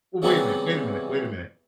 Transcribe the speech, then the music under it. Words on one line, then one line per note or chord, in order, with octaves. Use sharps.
Wa wait a minute wait a minute wait a minute,
C#3 E3 F#3 G3 B3 C4